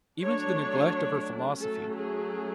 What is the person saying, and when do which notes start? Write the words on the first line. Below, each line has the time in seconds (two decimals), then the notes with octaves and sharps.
Even to the neglect of her philosophy.
0.20 F#3 A3 D4 C#5
1.59 F#3 A3 C#4 A4
1.94 G#4